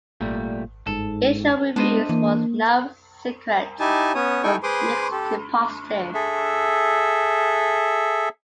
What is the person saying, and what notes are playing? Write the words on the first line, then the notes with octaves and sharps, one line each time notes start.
Initial reviews for "No Secrets" were mixed to positive.
G#1 A#2 G3 A3
G1 G#2 A4
G#3 B3 D4 C5 D#5
E3 A#3
D#4 E4 G4 G#5 A5
B3 C#4 C#5 D#6
D#4 E4 A4 G5 G#5 C#6
G#4 B4 C5 C6 D6 D#6
G4 A4
G#4 A4 E5